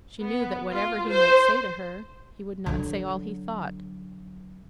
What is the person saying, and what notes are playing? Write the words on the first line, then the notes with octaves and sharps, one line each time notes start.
She knew that whatever he might say to her, he would not say all he thought.
B3
F4
C5
D3 F#3